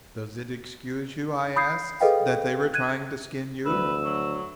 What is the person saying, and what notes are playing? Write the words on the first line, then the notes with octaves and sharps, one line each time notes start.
Does it excuse you?' I asks, 'that they were trying to skin you?
B5 D#6 G6 C7
G#4 A4 B4 D#5 F5 G5
F#6 G#6 D#7
D2 B4 E6
F#3